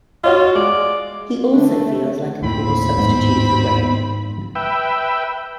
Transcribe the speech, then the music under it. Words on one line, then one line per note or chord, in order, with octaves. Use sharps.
He also feels like a poor substitute for Graham.
F4 F#4 C#5 D#5
G#3 D5
D3 A3
D#2 A2 C4 B5
G#2 B3
B4 E5 G5